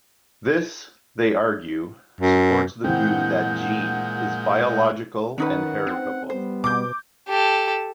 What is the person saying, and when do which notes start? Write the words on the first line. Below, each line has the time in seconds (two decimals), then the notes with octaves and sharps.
This, they argue, supports the view that "g" is biological and heritable.
2.21 F#2
2.84 A#2 E3 G#3 C4 F#5 G6
5.38 D#3 C#4 D#4 B4 F#5
5.87 C4
6.30 G3 B3 C5
6.64 B2 D6 G6
7.28 G4 A4